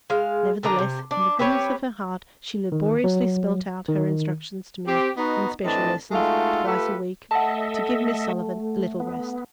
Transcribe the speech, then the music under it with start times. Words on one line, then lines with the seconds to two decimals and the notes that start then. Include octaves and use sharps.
Nevertheless, in the goodness of her heart she laboriously spelled out her instructions to me in special lessons twice a week, to give Miss Sullivan a little rest.
0.10 G#3 F5
0.63 D3 D#3 D4 A#5
0.79 C3
1.11 D4
1.39 C4 G4 B4 C#5
2.72 D#3
3.04 F#3
3.88 D#3
4.87 C4 G4
5.17 B3 D#4 F#4
5.64 A2 E3 C4 D4 D#5 A5
6.12 G#3 A3 D#4 F4 F#4 A4
6.65 A3 F4 G4 A4 B4
7.31 A3 A4 D#5 E5 F#5 A5
9.00 B3